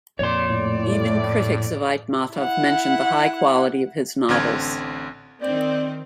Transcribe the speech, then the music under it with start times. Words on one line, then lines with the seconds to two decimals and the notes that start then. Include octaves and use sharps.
Even critics of Aitmatov mentioned the high quality of his novels.
0.19 F2 A#2 C#5 D5 C6
0.50 A2 D5
2.34 E4 F#5
4.29 A1 D3 C4 F6 G#6
5.42 D#3 C4 D5